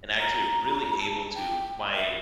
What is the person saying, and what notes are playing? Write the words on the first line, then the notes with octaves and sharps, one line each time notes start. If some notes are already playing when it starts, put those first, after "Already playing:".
and actually really able to my,
A#5
A5
G5
E5